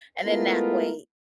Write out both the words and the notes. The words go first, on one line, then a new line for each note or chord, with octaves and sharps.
and then, that way,
G#3 A3 B3 E4 F4 A#4